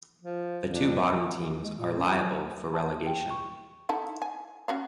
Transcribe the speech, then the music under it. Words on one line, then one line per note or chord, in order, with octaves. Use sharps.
The two bottom teams are liable for relegation.
F3
F2 D4
G#3
A#2
C#4
F#3
A5
G5
C#6
D#4 E4 A4
G#5
C#4 F#4 F5